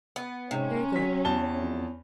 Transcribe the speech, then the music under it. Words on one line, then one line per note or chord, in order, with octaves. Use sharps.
"Very good."
B3
G#2 C3 C#4
F#3 B6
E2 A5 G7
F2